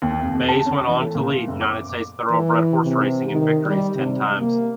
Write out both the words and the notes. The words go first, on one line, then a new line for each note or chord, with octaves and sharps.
Baze went on to lead United States thoroughbred horse racing in victories ten times.
D#2
F1
F2
A5
C#4
E3
A3
A#2
F#1
D6
E3
C3
D#3
G3
C3
A#3